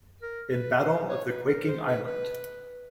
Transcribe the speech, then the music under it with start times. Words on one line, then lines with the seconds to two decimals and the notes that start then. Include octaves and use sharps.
In Battle of the Quaking Island!
0.22 A#4
0.51 B4
0.80 C5
1.09 C#5
1.28 B4
1.48 A#4
1.67 C5
1.87 B4
2.07 B4